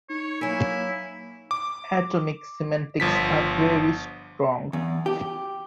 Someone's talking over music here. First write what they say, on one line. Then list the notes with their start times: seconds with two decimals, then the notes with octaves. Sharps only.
Atomic semantics are very strong.
0.09 D#4 C#5
0.41 F#3 A#3 E4 G#5
1.51 D6
3.00 G1 F3 B6
4.73 E2
5.06 G4